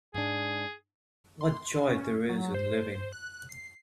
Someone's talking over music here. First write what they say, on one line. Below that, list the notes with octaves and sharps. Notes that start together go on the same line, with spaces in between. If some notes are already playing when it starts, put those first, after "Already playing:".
What joy there is in living.
G#2 D4 G#4
C6
C#4
F#3
C5
F#6
C7